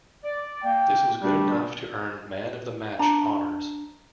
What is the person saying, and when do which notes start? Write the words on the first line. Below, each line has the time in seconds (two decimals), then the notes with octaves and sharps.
This was good enough to earn Man of the Match honours.
0.23 D5
0.64 A#3 G5
1.22 G3 A3 D4
2.99 D4 A#5